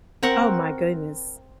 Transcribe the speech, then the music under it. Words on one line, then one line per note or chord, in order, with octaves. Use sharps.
Oh my goodness,
C4 A#4 F#5 C#6